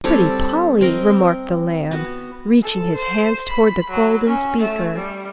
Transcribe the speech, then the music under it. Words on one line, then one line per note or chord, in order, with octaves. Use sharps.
'Pretty Polly!' remarked the Lamb, reaching his hands towards the golden speaker.
G3 C4 A4 C#5
C4 A#4 D#5
B3 F#4
A4
C5
B5
F#3
C#4
A3
G3